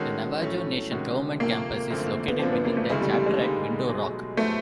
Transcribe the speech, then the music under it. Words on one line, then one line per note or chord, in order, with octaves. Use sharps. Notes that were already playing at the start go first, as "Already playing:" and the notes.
The Navajo Nation Government Campus is located within the chapter at Window Rock.
Already playing: D#3 G#3 C#4 F#4 A4
A2 F#3 A3 C#4
C3 D#3 G#3 C#4 F#4
D2 C3 F3 A3 A#3
F#2 D3 F3 A3 C4
B3
F#2 D3 F3 A#3 C4 D4
B3
A#3
A3
D2 C#3 E3 G#3 A3
G3
G3
G#3
D3 G3 A#3 D#4
B2 F#3 A3
F#3 A3 B3 E4 A4 C5